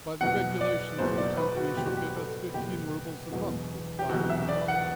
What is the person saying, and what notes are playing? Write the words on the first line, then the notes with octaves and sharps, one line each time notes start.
By the regulations the company should give us fifteen rubles a month with firing and lighting.
F#1 E2 B2 F#3 F#5
D5
F#1 E2 B2 F#3 C5
D5
B4
F#4
F#1 E2 B2 F#3 G4
F#4
G4
A4
F#1 E2 B2 F#3 G4
E1 E2 B2 F#3
G4
E1 E2 B2 F#3 F#4
E5
D5
F#5